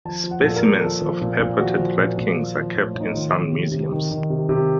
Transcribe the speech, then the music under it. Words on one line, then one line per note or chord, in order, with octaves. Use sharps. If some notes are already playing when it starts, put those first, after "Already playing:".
Specimens of purported rat kings are kept in some museums.
F3 A5
F3
F#5
A#2 A4
A#4
A#2
F3 A4
F3
A#2
A#2
F3 F#4
F3
A#2
A#2
F3
F3
A2
A2
D#4
D#3 F4
D#3
C3
C3
D#3
D#3
C3
C3